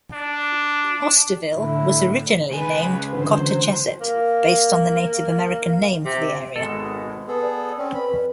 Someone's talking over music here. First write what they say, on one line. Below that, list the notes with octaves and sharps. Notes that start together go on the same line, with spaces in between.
Osterville was originally named Cotacheset, based on the Native American name for the area.
D4
A2 D3 E4
C#2 G#4 B4 G#5
D3 E3 F#3 B4 C5
A#3
C3
G#1 B2 G#3 A4
B3 G#4 A4 B4
D5
C4 C#4 D5
B4 B5
F2